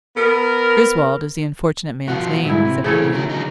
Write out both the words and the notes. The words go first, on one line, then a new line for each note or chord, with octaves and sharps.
"Griswold is the unfortunate man's name," said Green.
B3 A#4
B2 F3 F4 F#4
G#2 G3 E4 E5
C3
A2 C#3 E3 C4 A4 C#5
D#3 F#3 A3
D3 F#3 D#4